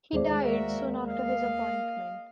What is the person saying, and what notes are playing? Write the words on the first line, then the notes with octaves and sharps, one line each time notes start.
He died soon after his appointment.
D#2 A2 G#3 G#4 C5 D5
A#3 F#4 A#4 E5
D#5 F5